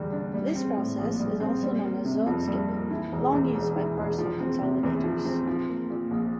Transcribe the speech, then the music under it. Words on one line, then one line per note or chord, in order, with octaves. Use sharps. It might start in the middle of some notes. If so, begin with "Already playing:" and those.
This process is also known as zone skipping, long used by Parcel Consolidators.
Already playing: E2 D3 G3
D4
G3
C4
A2
A#1
G3
C4
G3
A#3
C3
F2
G3
A#3
E3
E1
E2
E1
E3
E1
F3
C4
C3
E2
F3
C4
F3
A#3
A#2
A#1